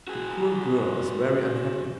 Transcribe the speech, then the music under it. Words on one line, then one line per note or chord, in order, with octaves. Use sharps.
The poor girl is very unhappy.
F#4 G#4